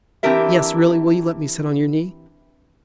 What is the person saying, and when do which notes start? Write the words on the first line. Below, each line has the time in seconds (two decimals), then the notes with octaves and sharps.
Yes, really, will you let me sit on your knee?
0.23 E3 C4 D4 G4 A#4 E5